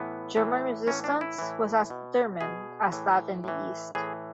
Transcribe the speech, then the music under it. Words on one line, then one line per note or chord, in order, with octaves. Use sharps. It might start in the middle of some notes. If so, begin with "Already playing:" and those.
German resistance was as determined as that in the east.
Already playing: A2 E3 B3
A2 E3
A2 E3 C#4
D4
E4
A2 E3
B2
B2 G#4
A2 E3
A2 E3
A2 E3 G#4